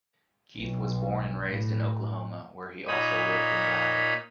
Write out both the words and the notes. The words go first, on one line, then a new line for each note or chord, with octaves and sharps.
Keith was born and raised in Oklahoma, where he also lived and died.
B1
A2
A#2 D#4 C#5 B5 D#6